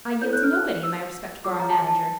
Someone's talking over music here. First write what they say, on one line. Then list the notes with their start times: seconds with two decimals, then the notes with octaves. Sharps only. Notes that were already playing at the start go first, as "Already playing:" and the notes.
I yield to nobody in my respect for our manager.
0.21 E4 A4 C#5 G6
0.33 F#6
0.43 F6
0.53 F#6
0.83 E6
1.44 F4 G#4 C#5 D6
1.60 A#5
1.69 A5
1.78 G#5
1.87 A5